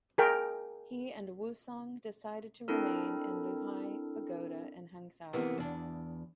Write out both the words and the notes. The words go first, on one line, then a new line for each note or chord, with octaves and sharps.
He and Wu Song decide to remain in Liuhe Pagoda in Hangzhou.
G#4 A#4 G5
C4 D4 E4 A4 A#4
C3 E3 A#3 B3
E2 D4